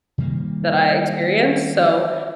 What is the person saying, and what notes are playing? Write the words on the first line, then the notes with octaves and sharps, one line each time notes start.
that I experienced. So,
C3 D#3 G3 A#3